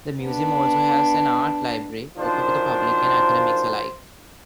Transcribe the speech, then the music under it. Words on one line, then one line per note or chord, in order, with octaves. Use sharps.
The museum also has an art library, open to the public and academics alike.
B3 D4
F#2 D#3 F3 D4 F4 C5